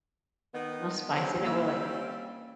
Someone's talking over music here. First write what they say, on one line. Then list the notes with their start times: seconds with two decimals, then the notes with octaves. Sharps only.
no spice in it, we're like,
0.54 D#3 B3
1.14 G3 C4 C#4
1.41 A#3 E6